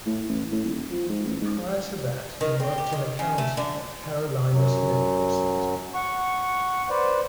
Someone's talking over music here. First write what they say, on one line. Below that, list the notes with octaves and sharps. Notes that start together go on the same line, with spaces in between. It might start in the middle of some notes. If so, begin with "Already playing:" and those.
Prior to that he worked in accounting at Carolinas Medical Center.
A2
A1
A2
D#1
F3
G#2
A1
G#2
D#3
C4
G4
D#3
C#3
A3
D3
F#2 F#3
F#5 C#6
B4 C5 D5